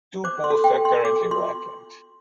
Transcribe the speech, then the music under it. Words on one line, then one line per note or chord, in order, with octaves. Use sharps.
Two posts are currently vacant.
C5 D6
C6
A4
G5
A4
C6
A4 D6
F4 C6